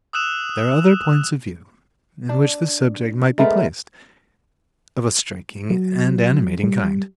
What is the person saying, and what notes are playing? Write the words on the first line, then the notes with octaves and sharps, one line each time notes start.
There are other points of view in which this subject might be placed, of a striking and animating kind.
D#6 E6 F#6 E7 F7
D4
G#3 A3 B3 A#4
F#3
G3